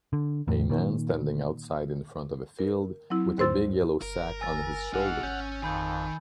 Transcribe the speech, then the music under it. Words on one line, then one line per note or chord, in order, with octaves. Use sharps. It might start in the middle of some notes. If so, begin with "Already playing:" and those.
A man standing outside in front of a field with a big yellow sack on his shoulder.
D3
E2 A2
A#2 D#3
A#4
F#3 C4 E4
D#2 G#2 C5 C6 E6 A6
G1 A#4
G#5 E6 A6
A1 D#4 G#4 F#5 F6 F#6
G#1 C#4 G6
F2 D#3 G#5 B5 G6